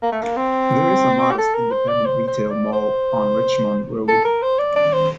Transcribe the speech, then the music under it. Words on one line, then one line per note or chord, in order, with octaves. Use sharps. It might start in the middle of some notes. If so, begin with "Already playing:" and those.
There is a modest independent retail mall on Richmond Road.
A#3
A3
A#3
C4
G4
A4
A#4
C5
D5
C5
C5
D5
C5
A4
A#4
C5
D5
D5
C5